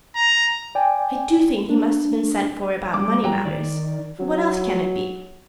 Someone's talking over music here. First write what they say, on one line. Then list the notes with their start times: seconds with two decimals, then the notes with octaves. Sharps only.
I do think he must have been sent for about money matters, for what else can it be?
0.15 A#5
0.75 D5 G5 G#5
1.70 D4
2.94 G3 D6
3.24 F#3 G3 G5 A#5
3.45 D#3 D5
4.20 F#3